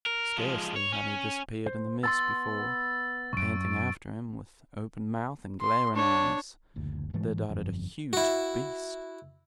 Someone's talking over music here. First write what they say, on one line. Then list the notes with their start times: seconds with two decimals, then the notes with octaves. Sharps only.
Scarcely had he disappeared in the mist before, panting after him, with open mouth and glaring eyes, there darted a huge beast.
0.06 A#4
0.38 F3 G#3
0.76 C#5
0.92 C#4
1.66 C5
2.03 B3 A5 C6 E6 A6
3.33 C2 F#2 C#6 D7
5.61 C6
5.94 D4 C#5
6.76 F#1 D2
7.14 G#2 E3 G#3 A3
7.49 G1 F2
8.13 E4 F#4